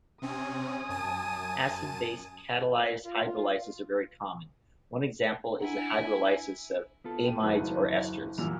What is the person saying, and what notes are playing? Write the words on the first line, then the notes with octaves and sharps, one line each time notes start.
Acid-base-catalysed hydrolyses are very common; one example is the hydrolysis of amides or esters.
C3 C4 C#4 G#5 D#6
F#2 A5 D#7
F4
D4 E4 F#5 G#5 A#5
B3 F4 A4
G5 D#7
F#1 D#2 F#3 A4 B4
F#2 A#2 E3 F3 G3 F7